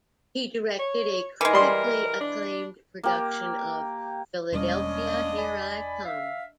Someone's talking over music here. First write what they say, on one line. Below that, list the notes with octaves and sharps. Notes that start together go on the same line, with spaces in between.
He directed a critically acclaimed production of "Philadelphia Here I Come!".
C#5
E3 G#3 A#4
G3 C6
D4
A#3 G4
E1 G3 G#3 A#3 C#4 D4 D#5
D5 G#5 B5
E5 F5